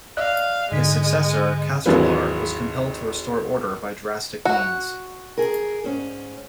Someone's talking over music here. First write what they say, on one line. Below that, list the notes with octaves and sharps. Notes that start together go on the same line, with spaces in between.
His successor, Castelar, was compelled to restore order by drastic means.
D5 D#5 F5 F#6
G#2 D3 G#3 B6
G#1 D#2 E3 F#3 A#3 B4
F#4
G#4 A#4
G#2 C#4